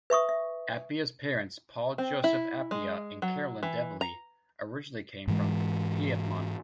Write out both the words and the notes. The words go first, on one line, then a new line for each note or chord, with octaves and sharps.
Appia's parents, Paul Joseph Appia and Caroline Develey, originally came from Piedmont.
B4 E5 C#6 D#6
E5
C4
E4
G#3
F#3
E3
A#5
G#2 E3 G#3